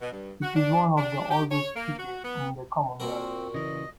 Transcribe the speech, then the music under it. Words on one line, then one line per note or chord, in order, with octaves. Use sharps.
It is one of the oldest cities in the Commonwealth.
B2
G2
F#4
D4
D4
G4
C#5
A#3
F#4
B3
A#2 C4 F#4 A#4
C#3 E3 D#5